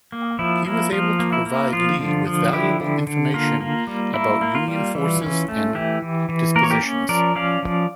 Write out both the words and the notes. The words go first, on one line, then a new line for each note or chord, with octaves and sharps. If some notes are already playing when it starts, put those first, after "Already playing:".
He was able to provide Lee with valuable information about Union forces and dispositions.
A#3
F3 E4
A#3 E4
F3 F4
A#3
E4
A#3
F3 F4
D3
F3
D3 E4 G4
D3
D3
A#3 F4
A#3
G3
A#3 E4
A#3
F4
G3
E3
C#4
A3
E3 E4 G4
E3
E3
A#3 A#4
C#5
G4 A#4
C#4
F3 A#4 D5
C#4 D5 F5
F3